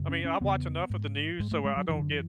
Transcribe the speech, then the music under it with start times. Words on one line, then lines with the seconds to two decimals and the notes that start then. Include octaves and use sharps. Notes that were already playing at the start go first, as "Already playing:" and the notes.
I mean, I watch enough of the news so I don't get
Already playing: F#2 C#3
0.09 C#4
0.25 C#4
0.40 E2 C#3 B3
0.90 G#2
1.39 G#2 G#3
1.51 A3
1.65 G#3
1.77 F#3
1.89 F#2 D3 E3
1.99 D3
2.10 E3